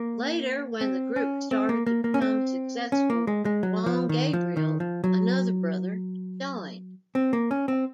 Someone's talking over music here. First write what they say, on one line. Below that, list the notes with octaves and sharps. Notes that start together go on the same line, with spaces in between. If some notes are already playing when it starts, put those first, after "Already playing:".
Later, when the group started to become successful, Juan Gabriel, another brother, joined.
Already playing: A#3
C4
C#4
C4
A#3
A#3
A#3
C#4
C4
C#4
A#3
G#3
G#3
F#3
F3
D#3
F3
D#3
F3
F#3
C4
A#3
C#4
C4